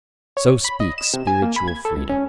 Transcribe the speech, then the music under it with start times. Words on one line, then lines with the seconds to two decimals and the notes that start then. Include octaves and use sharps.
So speaks "spiritual freedom."
0.37 C#5
0.64 B5
0.80 D#5
0.98 E7
1.13 C3
1.27 G#5
1.42 A#3
1.56 B5
1.68 G#6
1.85 A4
1.96 C#2
2.09 C#4